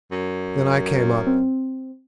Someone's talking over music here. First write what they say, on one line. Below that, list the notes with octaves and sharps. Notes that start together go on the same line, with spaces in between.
Then I came up.
F#2
C4